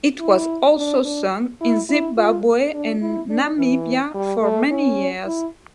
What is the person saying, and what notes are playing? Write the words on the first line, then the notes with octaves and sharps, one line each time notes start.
It was also sung in Zimbabwe and Namibia for many years.
E4
D4
D4
E4
E4
F4
D4
E4
D4
E3
G3
A3
C#4
E4